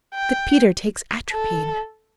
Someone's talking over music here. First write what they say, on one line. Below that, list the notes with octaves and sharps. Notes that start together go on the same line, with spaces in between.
'That Peter takes atropine.'
G5
A4